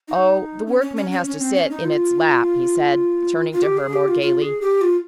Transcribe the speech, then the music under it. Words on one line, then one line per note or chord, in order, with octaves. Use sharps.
"Oh, the workman has to sit in its lap," he said, turning to her more gaily.
D#4
C#4
C#4
C#4
C#4
C#4
C4
C#4
D#4
F4
F4
G4
G#4
G4
F4
F4
G#4
G4
F4